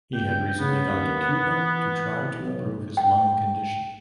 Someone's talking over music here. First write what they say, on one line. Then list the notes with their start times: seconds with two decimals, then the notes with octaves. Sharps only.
He had recently gone to Cuba to try to improve his lung condition.
0.15 C#2 G5
0.60 C#3 B3
0.88 D#2
1.47 E3
2.37 B1
2.97 G5